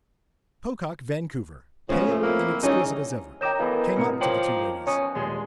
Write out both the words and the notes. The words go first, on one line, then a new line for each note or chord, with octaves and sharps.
Pocock Vancouver, pale and exquisite as ever, came up to the two ladies.
C#3 F3 G#3 B3
F3 A3
F2 A#3 E4
E3 F3 G3 C#4 D#4 G#4
D#3 D#4 C#5 D#5 G5 D6 G6 E7
F#2 E3 B3 A4 F5 B5
C2 A2 A#3 C#7
F3 C#5 G5 D6 D7 F#7
B2 C#4 C#5 A#5 D#6
D#1 D3 G#3 G#4 C6